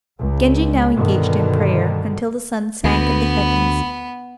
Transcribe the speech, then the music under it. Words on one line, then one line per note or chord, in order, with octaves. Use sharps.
Genji now engaged in prayer until the sun sank in the heavens.
C#2
G2 B2 D3 D#3
D2 B3 B4